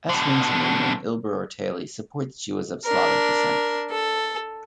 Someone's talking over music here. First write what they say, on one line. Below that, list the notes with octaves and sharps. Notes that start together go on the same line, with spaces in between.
S. Runciman and Ilber Ortayli support that she was of Slavic descent.
B2 D3
D4 A#4
A4